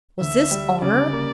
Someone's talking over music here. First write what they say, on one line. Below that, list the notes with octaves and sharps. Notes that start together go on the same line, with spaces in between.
Was this honor?
D2 E5
G3
C#3 D5
A#3